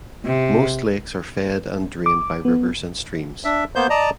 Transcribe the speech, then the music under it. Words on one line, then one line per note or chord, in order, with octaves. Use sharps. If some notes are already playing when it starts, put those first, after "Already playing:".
Most lakes are fed and drained by rivers and streams.
C3
D6
B3
D4 E5
A#3 B3 C5 G6
D5 D#5 A5 A#5